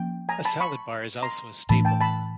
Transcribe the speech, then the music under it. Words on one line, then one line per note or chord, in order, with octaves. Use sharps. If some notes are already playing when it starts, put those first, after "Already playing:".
A salad bar is also a staple.
Already playing: F3 A#3 C#4 G5
G#5 A#5
A5 B5
B5 C#6
A#5 C6
A2 E3 A3 D4 A5 B5
G5 A5
A5 B5